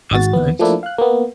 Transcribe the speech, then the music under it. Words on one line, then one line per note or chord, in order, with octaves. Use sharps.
That's nice.
G#1 G#2 F#4 A6
D#2 B3
F3 A3 A#3 D4 E4
F5 F#6
A#3 B3